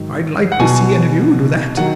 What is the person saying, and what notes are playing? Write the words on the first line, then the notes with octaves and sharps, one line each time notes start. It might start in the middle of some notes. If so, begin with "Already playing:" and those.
I'd like to see any of you do that!
Already playing: G#2 D#3 F#3
F#5
B2 F#3 G#5
D#3 F#3 F#5